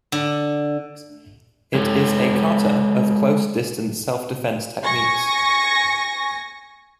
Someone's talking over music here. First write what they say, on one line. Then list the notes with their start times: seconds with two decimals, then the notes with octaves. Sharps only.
It is a kata of close-distance self-defense techniques.
0.12 D3
1.74 G#3 A4 C#5
4.83 G#5 C#6 A#6